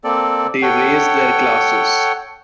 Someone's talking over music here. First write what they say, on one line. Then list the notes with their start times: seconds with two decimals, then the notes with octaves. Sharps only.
They raise their glasses.
0.04 A#3 C4 A4 D5
0.62 A4 C#5 F#5 G5